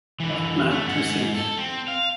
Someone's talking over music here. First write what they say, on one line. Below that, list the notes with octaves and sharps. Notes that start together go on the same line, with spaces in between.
What mad pursuit?
D3 E3
A3
G#2 F#5
A4
C4
F5